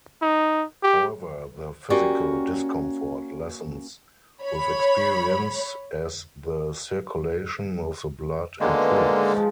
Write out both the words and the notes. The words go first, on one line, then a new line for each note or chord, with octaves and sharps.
However, the physical discomfort lessens with experience as the circulation of the blood improves.
D#4
G4
A#3 C#4 F#4 G4 D5 G5
C#5 B5
B2 D3 D#3 G#3 A#3
G#2 A#4 A5
F3 G#3